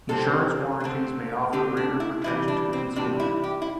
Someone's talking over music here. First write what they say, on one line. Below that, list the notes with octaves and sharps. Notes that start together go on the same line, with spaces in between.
Insurance warranties may offer greater protection to the consumer.
C3 G3 C4 A4
D3 A3 C4
D3 A3 C4 G4
D4
E4
C3 E3 G3 E4
D4
C4
C3 E3 G3 D4
E4
G4
E4